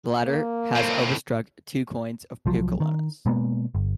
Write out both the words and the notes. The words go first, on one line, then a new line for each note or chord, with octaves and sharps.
The latter has overstruck two coins of Peucolaos.
A#3
A2 C4
C2 F3 F#3
D#3
B2 G#3 A#3 B3
G1